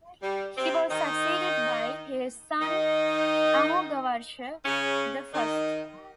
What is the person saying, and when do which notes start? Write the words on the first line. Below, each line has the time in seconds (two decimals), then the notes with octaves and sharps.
He was succeeded by his son Amoghavarsha the First.
0.23 G3
0.57 C3 C4
0.91 D#3 D#4
2.61 D#3 D#4
4.65 C#3 C#4
5.34 D#3 D#4